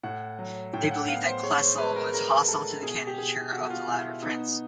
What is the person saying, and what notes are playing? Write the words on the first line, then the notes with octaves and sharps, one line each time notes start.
They believed that Klesl was hostile to the candidature of the latter prince.
A2 F#5
F#3
A2 G5
F#5
B3 F5
C5
G#3 C#5
C5
G#3 B4
A#4
G#3 A#4
G#3 A4
B2 G#4
G4
B2 G#4
B2 F#4
F4
B2 E4
B3 D#4